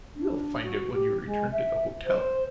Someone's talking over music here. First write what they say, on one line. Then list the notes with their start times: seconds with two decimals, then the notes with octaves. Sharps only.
You will find it when you return to the hotel.
0.16 D4
0.63 F#4
0.94 G4
1.26 G#3
1.52 E5
2.05 C5